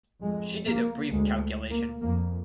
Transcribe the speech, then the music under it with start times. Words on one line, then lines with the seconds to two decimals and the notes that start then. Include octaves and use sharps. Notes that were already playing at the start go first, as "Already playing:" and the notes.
She did a brief calculation.
0.21 F2 G#3
0.66 A#3
1.11 D2 G#3
1.70 A#3
2.01 F2 A#3